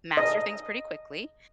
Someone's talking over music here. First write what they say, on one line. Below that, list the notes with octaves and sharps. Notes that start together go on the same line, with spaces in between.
master things pretty quickly,
D#5